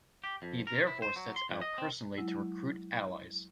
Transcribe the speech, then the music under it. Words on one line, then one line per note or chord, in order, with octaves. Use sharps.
He therefore sets out personally to recruit allies.
G4
F2
A#4
E4
C5
F#3
C6
F2
D#5
C4
F#3 G#3 E4